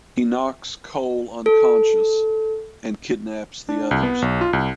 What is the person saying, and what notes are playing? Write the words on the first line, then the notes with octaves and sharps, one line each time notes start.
He knocks Cole unconscious and kidnaps the others.
A4
D4
C2
B3
B1
F4
C2